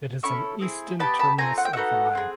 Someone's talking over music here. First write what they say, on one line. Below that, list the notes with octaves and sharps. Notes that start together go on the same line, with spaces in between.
It is an eastern terminus of the line.
C#4 E4 A4 B5 C#6
C4 E4 G#4
B3 E4 G4 A5 B5
A5 B5
A3 C4 F4 G#5 A#5
F#5
G5
B3 D#4 F#4 A4 E5 F#5
C4 D#4 G#4